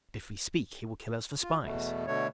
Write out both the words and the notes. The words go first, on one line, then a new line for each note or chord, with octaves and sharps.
But if we speak, he will kill us for spies.
F4
E2 B2 A3
B2 D3 A3 C#5